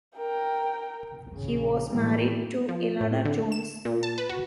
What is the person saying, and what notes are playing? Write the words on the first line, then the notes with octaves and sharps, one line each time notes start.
He was married to Eleanor Jones.
A#4 G5
A#1 C#3
A2 D#3 E3 G3 G#3 A#3
F3
A2
D3
E7
A#2
A5
B4
F#4